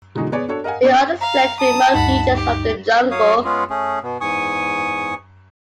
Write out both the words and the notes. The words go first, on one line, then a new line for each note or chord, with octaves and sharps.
Still others fled to remote regions of the jungle.
B2 D3 E3 G#3 D#4 F#4
B3 G#4 C#5 D5 G#5
D4 F#4 A4 C#5
A#4 D#5 F5 F#5 G#5
B3 C#4 C#5 D5
F5 A#5
A5 D#6
D2 G2 D#4 F#5 B5
G4
F#3 C#5 F5 D#6
G#3 B3 C#4 F4 G#4
A3 C#4 G#4
B2 B3
E2 G#2 G#5 C#6 D#6